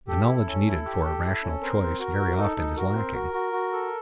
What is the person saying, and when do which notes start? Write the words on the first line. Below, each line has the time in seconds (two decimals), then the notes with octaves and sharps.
The knowledge needed for a rational choice very often is lacking.
0.08 G4 A4
0.27 E4
0.47 C#4
0.66 E4
0.85 G4
1.04 G4
1.24 E4
1.43 C#4
1.62 C4 A#4
1.81 C4
1.99 F#4 A#4
2.19 F#4
2.38 D#4 A4
2.57 D#4
2.76 F#4 A#4
2.95 C4
3.14 F#4
3.34 F#4
3.52 F#4
3.73 A4